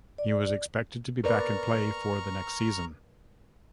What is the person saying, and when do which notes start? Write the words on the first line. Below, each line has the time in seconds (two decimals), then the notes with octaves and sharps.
He was expected to be back in play for the next season.
0.18 D5
1.24 A#4 B4 D5 A#5 C#6 F6